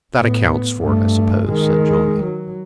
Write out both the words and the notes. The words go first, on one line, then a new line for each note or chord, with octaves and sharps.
"That accounts for it, I suppose," said Johnny.
A2 B3
G2 A3
D#3 G#3
F#3